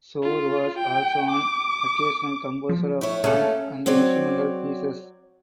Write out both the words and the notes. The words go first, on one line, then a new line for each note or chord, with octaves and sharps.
Shore was also an occasional composer of songs and instrumental pieces.
F4
G5
D6
F3
A2 E4 C#5
A3 A#3 C#4 G#4 A4 F#5
F#3 C4 C#5 D5